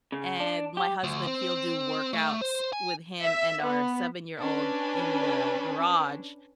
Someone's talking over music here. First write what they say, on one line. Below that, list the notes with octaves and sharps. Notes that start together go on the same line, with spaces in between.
and my husband, he'll do workouts with him and our seven-year-old in the garage,
C#3
D4
G4
D2
C4
A3
C5
G#5
E5
B3
C#4 D4 B4